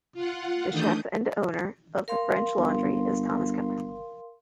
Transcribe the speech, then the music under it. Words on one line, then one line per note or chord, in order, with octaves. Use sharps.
The chef and owner of the French Laundry is Thomas Keller.
F4 F#5
D#3 E3 A3 D4 D#6 G6
A#4 F5 C6
G1